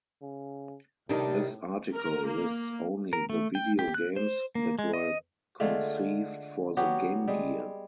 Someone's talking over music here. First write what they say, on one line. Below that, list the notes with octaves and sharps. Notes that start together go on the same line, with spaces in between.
This article lists only the video games that were conceived for the Game Gear.
C#3
A2 C3 D#3 G3 D4 D#4 D5
A#4
A#3
A#4
A3
G5
G4
F#6
C5
A#3
G#3
D#5
D3 G#3 A3 F4
F#3 B3 F#4 G4
G3 G#3